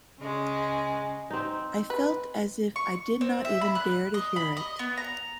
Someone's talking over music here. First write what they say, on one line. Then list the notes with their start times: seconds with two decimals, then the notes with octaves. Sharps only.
I felt as if I did not even dare to hear it.
0.19 C#3 G#3
1.31 C4 D#4
1.90 B4
2.76 C#6
3.21 C4
3.45 E5
3.61 B5
3.75 F#6
4.14 D#5
4.36 B5
4.57 D#5
4.79 B3
4.97 A#5